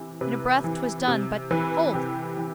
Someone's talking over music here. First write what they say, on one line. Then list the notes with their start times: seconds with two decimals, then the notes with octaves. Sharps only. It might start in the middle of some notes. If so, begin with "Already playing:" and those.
In a breath 'twas done but--hold!
Already playing: C3 E3
0.21 C3 B4
0.64 E3
1.08 C3
1.51 E3 B4
1.93 C3 G4
2.37 E3